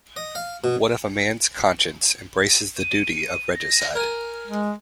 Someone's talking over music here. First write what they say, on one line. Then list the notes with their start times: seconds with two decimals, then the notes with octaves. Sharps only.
What if a man's conscience embraces the duty of regicide?
0.16 D#5
0.35 F5
0.64 B2
2.79 D#7
3.55 A#6
3.95 A#4 G#5 F6
4.47 G#3